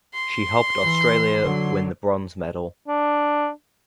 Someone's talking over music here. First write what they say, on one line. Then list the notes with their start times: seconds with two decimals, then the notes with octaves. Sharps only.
She helped Australia win the bronze medal.
0.14 C6
0.82 E3
1.42 D3 F#3
2.88 D4